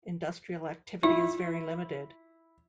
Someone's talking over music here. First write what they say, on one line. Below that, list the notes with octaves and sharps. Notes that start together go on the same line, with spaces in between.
Industrial activity is very limited.
E4 F4